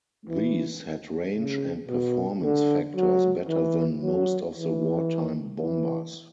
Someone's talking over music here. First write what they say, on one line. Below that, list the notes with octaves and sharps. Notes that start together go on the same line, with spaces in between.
These had range and performance factors better than most of the wartime bombers.
E3
C#3
B2
D3
F#3
E3
F#3
E3
E3